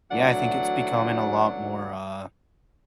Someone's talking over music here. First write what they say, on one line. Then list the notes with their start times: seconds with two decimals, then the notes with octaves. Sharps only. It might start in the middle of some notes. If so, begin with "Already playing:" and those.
Yeah, I think it's becoming a lot more, uh,
0.12 D2 E3 F#3 D5 F#5